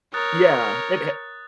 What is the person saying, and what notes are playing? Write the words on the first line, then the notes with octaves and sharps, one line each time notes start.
Yeah, it ha
A#4 C#5 D#6 F#6 A6